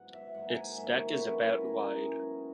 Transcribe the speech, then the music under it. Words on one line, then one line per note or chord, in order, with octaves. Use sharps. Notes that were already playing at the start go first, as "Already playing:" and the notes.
Its deck is about wide.
Already playing: G#2 F#3 B3 F#5
E5
G#2 D#3 F#3 A#3 F#5
G#5
F#5
G#2 D#3 F#3 A#3 E5
C#5
D#3 F#3 C#4 E4 B4
B4
D#3 F#3 C#4 E4 A#4
G#4
G#2 F#3 B3 A#4